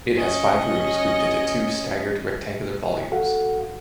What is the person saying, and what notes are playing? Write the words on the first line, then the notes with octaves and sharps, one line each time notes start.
It has five rooms grouped into two staggered rectangular volumes.
C#4 D#5
F#4 A4 F5 F#5